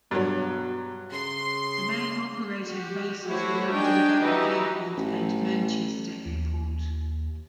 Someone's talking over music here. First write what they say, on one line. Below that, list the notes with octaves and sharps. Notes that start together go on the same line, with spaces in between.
The main operating bases were London Gatwick Airport and Manchester Airport.
G2 B2 F#3
C#3 C6
F#4 G4
A3 E4 F#4 G4 C5 C#5
D4 D#4 G4 G5 G#5
E3 D#4 F#4 G4 D#5
A1
D#2